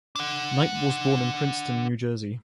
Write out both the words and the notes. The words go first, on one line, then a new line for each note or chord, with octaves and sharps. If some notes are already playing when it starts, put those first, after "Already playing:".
Knight was born in Princeton, New Jersey.
D4 F#5